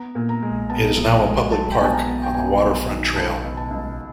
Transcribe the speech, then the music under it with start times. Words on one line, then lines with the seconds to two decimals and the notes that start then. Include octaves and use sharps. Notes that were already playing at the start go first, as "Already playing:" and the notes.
It is now a public park on the Waterfront Trail.
Already playing: B3 A#5
0.15 A#2
0.29 A#5
0.42 G#3
0.70 B3 A5
0.97 F3
1.24 G#3
1.52 F#3 A5
1.72 G5
1.79 B3 G#5
1.85 A5
1.93 A#5
2.07 B3
2.23 G5
2.34 B3 G#5
2.61 F#3
2.89 D#3
3.16 C#2 A5
3.44 B2
3.57 A5
3.70 C#2